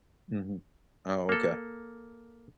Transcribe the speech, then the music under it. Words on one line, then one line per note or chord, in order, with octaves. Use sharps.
Mhm. Oh, okay.
A#3 A4